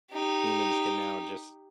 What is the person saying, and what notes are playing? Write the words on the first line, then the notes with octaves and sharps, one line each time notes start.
humans can now, just
D#4 G4